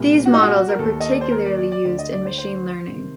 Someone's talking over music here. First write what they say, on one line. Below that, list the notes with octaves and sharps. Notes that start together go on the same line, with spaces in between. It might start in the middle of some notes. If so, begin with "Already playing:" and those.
These models are particularly used in machine learning.
Already playing: C2 A#2
F#4
D#4
F#4
A#4
D#2 D#3 A4
D#5
D5
C5
A#4
D5
D5
D5
D2 D3 D5
D#5
D5
C5
C5
C3 D#3